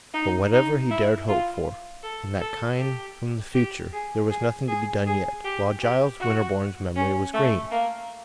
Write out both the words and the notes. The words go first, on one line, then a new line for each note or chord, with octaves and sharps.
But whatever he dared hope for in that kind from the future, there was nothing to be done yet, while Giles Winterborne's memory was green.
D#4
D#4
E4
F4
A4
A4
G4
G4
G#4
G#4
G#4
G#4
G4
G4
F#4
C#4
A3
A#3